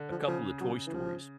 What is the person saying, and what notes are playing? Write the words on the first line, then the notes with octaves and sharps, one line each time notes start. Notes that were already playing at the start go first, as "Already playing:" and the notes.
a couple of Toy Stories
Already playing: D3
F3
C#3 F3
F#3
E3
F3